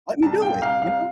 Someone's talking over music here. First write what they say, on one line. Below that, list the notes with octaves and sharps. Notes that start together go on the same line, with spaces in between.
"Let me do it, you know?"
C2 A5
A#2 G5
C2 F5
C2 F5